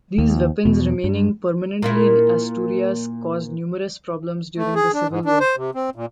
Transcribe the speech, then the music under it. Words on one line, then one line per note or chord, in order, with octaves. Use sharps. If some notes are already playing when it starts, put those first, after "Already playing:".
These weapons remaining permanently in Asturias caused numerous problems during the Civil War.
D#2
E2 B2
G2
A#2 A#3 E4
A3
G#4
D4
G#2
D4
C5
C3
C4
A#2